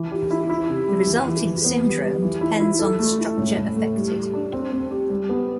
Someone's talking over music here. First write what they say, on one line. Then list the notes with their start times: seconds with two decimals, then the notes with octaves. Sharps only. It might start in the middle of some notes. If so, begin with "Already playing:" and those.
The resulting syndrome depends on the structure affected.
Already playing: E3
0.11 G4
0.31 E4
0.49 E4
0.68 C3
0.88 G3
1.07 E3
1.26 E3
1.45 E3
1.65 B3
1.83 G3
2.03 G3
2.22 E3
2.41 E4
2.60 E4
2.79 A4
2.99 A3
3.19 E4
3.38 A2
3.57 A2
3.76 A3
3.95 G3
4.15 G3
4.33 D4
4.53 C4
4.72 C4
4.91 G4
5.10 G3
5.29 B3